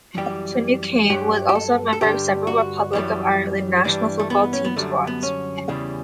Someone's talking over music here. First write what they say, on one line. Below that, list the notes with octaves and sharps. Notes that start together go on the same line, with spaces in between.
Finucane was also a member of several Republic of Ireland national football team squads.
F#2 E3 G3 G4
G2 F#3 G4
G4
A4
A4
G2 D3 G3 G4
F#4
F#2 E3 G3
G2 E3 G3 D4
A3
B3
C#4
B3
F#2 D3 G3 A3
B3
C#4
E2 C#3 E3 G3